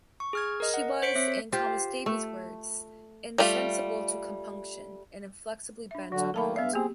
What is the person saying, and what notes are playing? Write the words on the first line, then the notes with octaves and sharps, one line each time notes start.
She was, in Thomas Davies' words, insensible to compunction and inflexibly bent on cruelty.
C#6
G#4 F6 G#6
A#4 D#5
F#5
C5 C#5 B6 C#7 D7
C4 E5 B6
F4 G4 C5
A3
G3 A3 F4
D4 E5
D3 F#3 F#4
D#3 A3 A#3 A4 A5 B5
G2 B3 D5 E5 F5
A#3 C4 G4 G#4